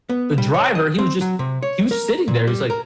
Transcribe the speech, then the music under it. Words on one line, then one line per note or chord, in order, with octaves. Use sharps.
the driver, he was just he was sitting there. He was like
B3
G3
C#5
D#5
C4
F#3
C3
C#5
A#4
A#2
G3
A#4